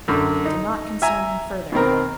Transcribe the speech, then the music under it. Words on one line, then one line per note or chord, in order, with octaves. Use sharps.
It did not concern him further.
F#2 D3
D#4
E5 G#5 A#5
B2 D#3 C4 A#4